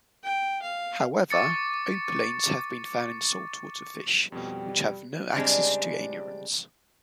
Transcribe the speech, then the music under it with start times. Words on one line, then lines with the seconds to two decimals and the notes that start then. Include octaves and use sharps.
However, opalines have been found in saltwater fish which have no access to anurans.
0.24 G5
0.62 F5
1.30 C#6 D6 A6 C#7
4.32 F2 B2 G3
5.36 C#3 G3 G#3 C4 D4